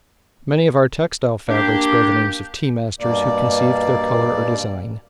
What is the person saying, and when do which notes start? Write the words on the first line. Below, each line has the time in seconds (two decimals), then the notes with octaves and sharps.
Many of our textile fabrics bear the names of tea-masters who conceived their color or design.
1.49 A#3 D4 G4
3.00 G2 B2 A#3 D5